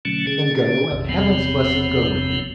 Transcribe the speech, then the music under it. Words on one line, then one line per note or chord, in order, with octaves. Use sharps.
Then go, and Heaven's blessing go with you.'
B2 D3 F#3 A3 C#4
D3 C#4 G#4
A1 F2 A2
F#1 E2 C3 F3 B3 C4